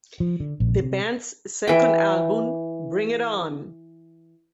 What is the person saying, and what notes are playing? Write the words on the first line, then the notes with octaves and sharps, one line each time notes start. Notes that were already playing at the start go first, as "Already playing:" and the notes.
The band's second album, Bring It On!
F3
D3
A#1
C3
E3 G5